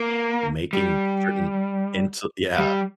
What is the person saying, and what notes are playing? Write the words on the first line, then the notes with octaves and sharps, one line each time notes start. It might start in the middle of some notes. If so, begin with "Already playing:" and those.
making certain into yeah.
Already playing: A#3
G3
G3